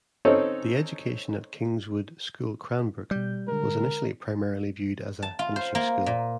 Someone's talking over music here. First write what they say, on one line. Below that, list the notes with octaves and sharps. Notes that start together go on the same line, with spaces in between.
The education at Kingswood School Cranbrook was initially primarily viewed as a "finishing school".
C4 C#4 D#4 A4 C#5
B2 G3 G6
D3 G#3 A#4
A5
F4
C5
A#3
A#2